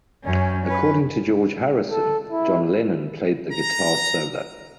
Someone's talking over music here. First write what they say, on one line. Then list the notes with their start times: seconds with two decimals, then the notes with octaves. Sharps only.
According to George Harrison, John Lennon played the guitar solo.
0.24 F#2 C#4
0.65 C#4 B4
1.90 A4
2.30 E4
3.52 A#5